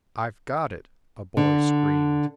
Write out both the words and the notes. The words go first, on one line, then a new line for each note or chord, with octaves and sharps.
"I've got it!" a boy screamed.
D3